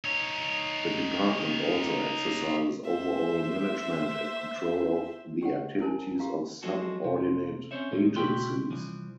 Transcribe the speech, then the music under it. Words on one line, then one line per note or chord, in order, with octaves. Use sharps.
The department also exercises overall management and control of the activities of subordinate agencies.
D#4 C#5
C5 E5
D4 G4 C#5 F#5
E4 A#4 C5 G#5 A5
F#4 G4 F5 A#5
F3 F#3 G#3 C4 F#4 A4
C3
C4 C#4 E4 C5 C#5 E5
A2 D#3 G#3
B2 E4 F#4 G4 G5 C6
C2 E3 F3